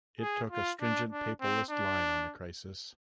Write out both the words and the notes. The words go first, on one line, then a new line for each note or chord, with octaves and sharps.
It took a stringent papalist line on the crisis.
G#4
F4
D4
D4
C4
D4